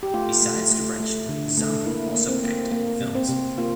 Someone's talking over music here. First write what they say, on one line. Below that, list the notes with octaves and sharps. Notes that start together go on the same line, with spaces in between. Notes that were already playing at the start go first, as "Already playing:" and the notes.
Besides direction Zaman also acted in films.
G4
A3 F4
A3
A3
A3
D3
A3
A#3 E4
A#3
C4
A#3
A#3
C3
C4
C3
A#3 F4